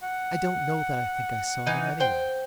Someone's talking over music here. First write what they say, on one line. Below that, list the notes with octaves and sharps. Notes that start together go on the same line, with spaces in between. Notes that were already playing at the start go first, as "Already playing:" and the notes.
'I don't know that I think I saw them anywhere.
F#5
E3 D#4
C5 G5